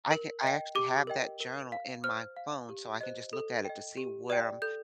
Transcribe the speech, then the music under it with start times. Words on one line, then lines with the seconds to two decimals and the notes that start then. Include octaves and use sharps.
I can I actually have that journal in my phone so I can just look at it to see where I'm
0.11 A#4
0.43 D#5 G5
0.75 G4 D6
1.07 A#4 D#5 G5
1.40 A#4
1.72 F5
2.04 C5 F6
2.37 F5
2.69 G4
3.01 C5 D#5
3.33 A4
3.65 D#5 G5
3.97 G4
4.30 D5 G5
4.62 A4 G6